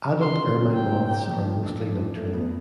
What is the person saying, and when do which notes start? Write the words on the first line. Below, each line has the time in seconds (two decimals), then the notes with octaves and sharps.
Adult ermine moths are mostly nocturnal.
0.20 C#3 C6
0.38 C#3
0.56 F#3
0.74 F#3 G5
0.91 A#3
1.09 A#3
1.27 F3
1.45 A#2
1.63 D4
1.80 F3
1.98 D4
2.16 A3
2.34 B3